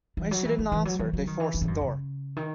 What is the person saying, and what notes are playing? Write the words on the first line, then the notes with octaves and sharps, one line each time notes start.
When she didn't answer, they forced the door.
E3
F#3
E3
E3
E3
F#3
E3
F#3
D#3
E3
E3
G#2
F#2
C#3
D#3